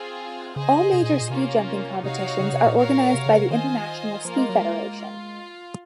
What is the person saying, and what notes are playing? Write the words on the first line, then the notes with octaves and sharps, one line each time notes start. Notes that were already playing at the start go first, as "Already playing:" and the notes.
All major ski jumping competitions are organised by the International Ski Federation.
Already playing: C4 F4 G#4
C#3 G#4 C5 D#5 G#5
C3
A#2
C3
A#2
C3 A#3 C#4 F4
C3 D#4 F#4 C#5 F5
C#3
C3
A#2
F#4 A#4 C#5 F5
C3
C#3
C3
D#3 F4 C5 D#5 G#5
F3 A#3 F4 A#4
G#3
F#3
G#3
F4